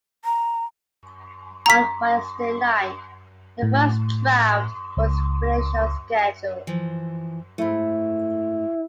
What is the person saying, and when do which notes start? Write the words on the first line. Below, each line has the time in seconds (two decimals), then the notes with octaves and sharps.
On Wednesday night, the first draft was finished on schedule.
0.25 A#5
1.66 A#5 B6
3.62 A2
4.97 C#2
6.67 E3 F3
7.58 G#2 A3 E4